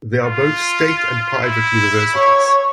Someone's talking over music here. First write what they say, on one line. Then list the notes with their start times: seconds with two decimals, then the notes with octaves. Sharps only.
There are both state and private universities.
0.23 F4
1.42 E4
2.15 C#5